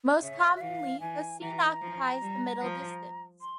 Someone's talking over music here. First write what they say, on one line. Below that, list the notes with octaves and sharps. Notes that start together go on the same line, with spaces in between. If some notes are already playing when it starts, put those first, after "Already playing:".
Most commonly the scene occupies the middle distance.
C#3 E5
E5
E3 F5
E3 G#5
E3 A#5
F3
G3
F3
C6